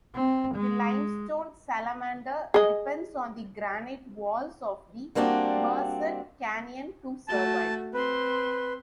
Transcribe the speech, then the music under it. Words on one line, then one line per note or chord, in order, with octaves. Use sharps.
The limestone salamander depends on the granite walls of the Merced Canyon to survive.
C4
G#3
G#4 D#5
G3 A#3 C4 D4 F#4
A3 F#4 A5
C4 B4 C6